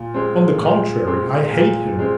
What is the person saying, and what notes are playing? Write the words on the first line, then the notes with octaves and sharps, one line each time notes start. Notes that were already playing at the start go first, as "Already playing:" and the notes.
On the contrary, I hate him!
Already playing: A#2
G#3 C4
A#2
G#3 C4
A#2
G#3 C4